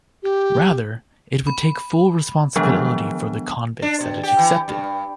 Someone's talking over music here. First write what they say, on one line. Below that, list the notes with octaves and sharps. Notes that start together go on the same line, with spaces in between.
Rather, it would take full responsibility for the convicts that it accepted.
G4
B5
D#3 F3 F#3 G#3 B3 D4
D4
B2
G4
E3
G2